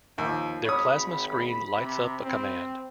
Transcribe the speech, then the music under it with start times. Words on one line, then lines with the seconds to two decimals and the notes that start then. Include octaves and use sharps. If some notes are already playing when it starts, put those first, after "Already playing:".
Their plasma screen lights up a command.
0.18 D#2 F3
0.65 G#1 C#5 B5 D#6
1.76 C3
2.23 C4